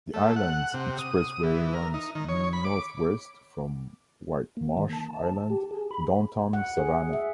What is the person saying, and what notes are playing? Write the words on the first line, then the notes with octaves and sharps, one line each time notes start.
The Islands Expressway runs northwest from Whitemarsh Island to downtown Savannah.
A3
F#5
C3
D#6
E3
A#4
D#4
D#3
C#5
B5
D6
A#3
D#3
A5
A5
G4
G#4
B5
F#5
G#4
E5